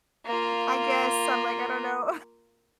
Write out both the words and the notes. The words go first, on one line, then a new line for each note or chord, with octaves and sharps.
I guess I'm, like, I don't know,
A#3 F4